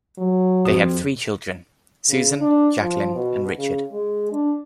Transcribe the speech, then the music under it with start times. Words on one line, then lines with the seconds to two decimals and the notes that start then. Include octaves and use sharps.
They had three children: Susan, Jacqueline and Richard.
0.18 F#3
0.65 F2 F#4
2.09 C#3
2.41 D4
2.81 F3
3.15 B2
3.58 C#3
3.92 G#3
4.32 D4